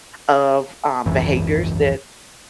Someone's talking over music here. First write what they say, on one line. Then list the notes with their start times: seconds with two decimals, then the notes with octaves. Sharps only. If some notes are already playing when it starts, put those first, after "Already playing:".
of, um, behaviors that
1.06 G#1 C#2 F#2 E3